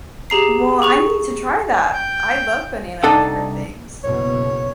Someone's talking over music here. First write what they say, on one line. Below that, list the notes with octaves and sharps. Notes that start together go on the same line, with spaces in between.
Well, I need to try that. I love banana flavored things.
G4 G#4 A#5 C7
G#4 C#6 F7
G5
C2 D4 D#4 A4 F#5
F#1 B2 C#5